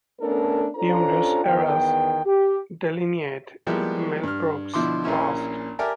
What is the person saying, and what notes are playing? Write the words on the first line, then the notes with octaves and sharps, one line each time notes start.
Numerous eras delineate Millbrook's past.
A3 B3 C#4 D4 A4 A#4
C#4 D4 F4 A4 C5 A#5
E2 D#3 B3 G5
G4
F3 G3 G#3 A#3 B3 E4
G2 F6
B2 D3 F3 E4 C6 D6
A#1 A#2 A#3 C#4 E4
G4 A#4 D5 E5 G#5 A5